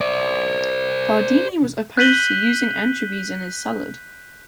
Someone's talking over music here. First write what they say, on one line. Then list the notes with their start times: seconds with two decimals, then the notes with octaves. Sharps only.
Cardini was opposed to using anchovies in his salad.
0.01 C5 D5
1.97 F#6 G6 B6 D#7 F#7 G7